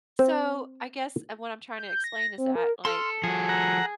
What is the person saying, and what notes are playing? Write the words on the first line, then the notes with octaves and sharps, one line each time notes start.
so, I guess, uh, what I'm tryna explain is that, like,
C4
G6
A#6
C4
A#4
A4 C6 F6
F3 F#4 G#4
F#5 A#5